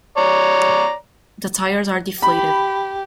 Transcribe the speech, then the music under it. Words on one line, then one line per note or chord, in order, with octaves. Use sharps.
The tires are Deflated.
C#5 D5 A#5
G4 B5